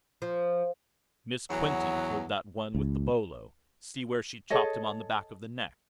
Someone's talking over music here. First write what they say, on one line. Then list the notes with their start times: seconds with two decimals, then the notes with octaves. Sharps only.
Miss Quinton killed that one with the bolo; see where she chopped him on the back of the neck?
0.22 F3
1.50 E2 F#3
2.75 C#2
4.50 G#4 A4 C#5 D#5